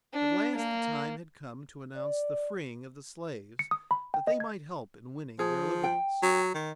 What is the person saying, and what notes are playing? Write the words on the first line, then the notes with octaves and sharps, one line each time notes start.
At last the time had come to announce the freeing of the slaves that they might help in winning their liberties.
D4
A#3
D5
C#7
D#6
B5
G5
D#5
G#6
F3 G#4
G5
F#3
D#3